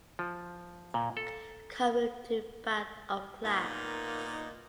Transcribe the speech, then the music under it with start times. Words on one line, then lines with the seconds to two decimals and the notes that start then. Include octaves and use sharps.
Car moved to back of class.
0.19 F3
0.94 A#2
1.17 A4
3.44 A#2 A#3 B3 D#4